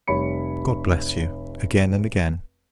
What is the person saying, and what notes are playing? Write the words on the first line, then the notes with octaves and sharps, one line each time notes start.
God bless you, again and again!
F1 G3 C#5 B5 C#7